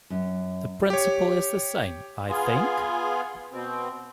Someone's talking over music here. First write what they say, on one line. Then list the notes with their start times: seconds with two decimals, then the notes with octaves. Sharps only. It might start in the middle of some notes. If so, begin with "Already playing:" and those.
The principle is the same, I think?
0.10 F#2
0.90 G4 C#5
2.29 B3 F4 G#4
3.52 B2 C4